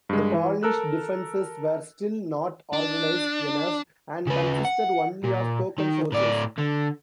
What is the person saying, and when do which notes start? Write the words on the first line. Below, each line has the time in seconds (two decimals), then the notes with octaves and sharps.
The Polish defences were still not organised enough and consisted only of token forces.
0.09 G2 G#3
0.34 E3
0.63 A4 A#4 E6 F#6
2.73 D4
4.27 C#3 B4
4.65 F#5
5.24 A#2
5.78 D#3
6.12 A2 D5
6.58 D3